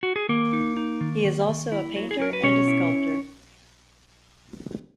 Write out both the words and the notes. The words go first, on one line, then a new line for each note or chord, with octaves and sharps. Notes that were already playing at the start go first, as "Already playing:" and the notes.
He is also a painter and sculptor.
F#4
G#4
D#3 A#3 A#4
D#4
D#4
D#3
D#3
D#3
E4
F#3
G#4
F#3 A#4
B4
B2 C#4 C#5
E4